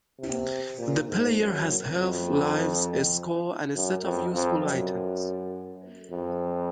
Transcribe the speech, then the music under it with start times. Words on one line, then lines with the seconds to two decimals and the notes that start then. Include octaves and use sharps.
The player has health, lives, a score, and a set of useful items.
0.19 C3
0.78 A#2
1.09 G#2
1.38 F#2
1.97 F2
3.75 F#2
4.03 F2
4.33 F2
4.63 F#2
6.11 F2